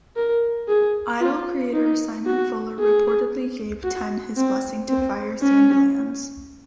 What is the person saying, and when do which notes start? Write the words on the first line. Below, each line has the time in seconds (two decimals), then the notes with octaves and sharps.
Idol creator Simon Fuller reportedly gave Ten his blessing to fire Sandilands.
0.16 A#4
0.69 G#4
1.21 F4
1.74 D#4
2.26 F#4
2.79 G#4
3.84 F#4
4.37 C4
4.89 C4
5.42 C#4